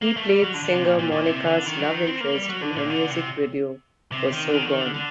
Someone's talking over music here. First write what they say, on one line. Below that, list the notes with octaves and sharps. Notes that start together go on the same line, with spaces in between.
He played singer Monica's love interest in her music video for "So Gone".
A#3
A3
G3
F#3
D3
D3
C3
A#2
A#2
A#2
C3
D3
D#3
F#3
D#3
C4
A#3
G3
F#3
D3
A#2
D3
C3
C3
D#3
D3
D#3
D3
D#3
D3
D3